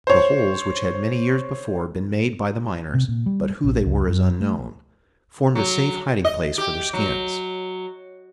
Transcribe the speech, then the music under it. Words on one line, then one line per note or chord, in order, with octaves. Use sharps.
The holes which had many years before been made by the miners--but who they were is unknown--formed a safe hiding-place for their skins.
C5 C#5
C3
A#2
G3
A#1
C#2
F#2
A3
F#3
D#5
G4
F#3